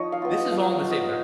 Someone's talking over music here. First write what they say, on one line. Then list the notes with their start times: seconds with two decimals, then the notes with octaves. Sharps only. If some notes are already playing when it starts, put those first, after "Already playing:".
This is all in the same night
Already playing: F3 D#4 C#5 D#5
0.12 F5
0.22 B3 F4
0.32 D#5
0.52 F3 F5
0.71 F5
0.81 B3 F4
0.91 D#5